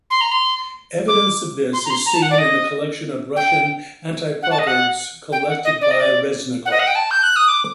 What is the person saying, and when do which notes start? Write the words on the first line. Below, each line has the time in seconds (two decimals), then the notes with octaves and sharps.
Evidence of this is seen in the collection of Russian anti-proverbs collected by Reznikov.
0.10 C6
0.21 A#5
0.31 C6
1.08 D6
1.73 C6
1.85 A#5
1.90 C6
2.06 A#5
2.14 A5
2.22 F#5
2.30 D5
2.38 D#5
3.36 G5
4.43 F#5
4.51 A5
4.59 D#5
4.67 F#5
5.32 G5
5.49 F#5
5.65 D#5
5.81 D5
5.91 D#5
6.00 D5
6.65 F#5
6.71 D#5
6.79 F#5
6.87 G5
6.95 A5
7.11 G6
7.23 F#6
7.36 D#6
7.48 D6